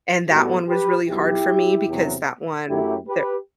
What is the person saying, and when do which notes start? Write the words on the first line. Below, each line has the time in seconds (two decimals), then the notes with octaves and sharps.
and that one was really hard for me because that one there
0.28 A2 G3 B3 F#4 A4
0.68 G4 B4
1.08 B1 B2 F#3 E4 G4
1.88 E2 C3 F#3
2.68 F#2 F#3 A3 E4 G4
3.08 G4 B4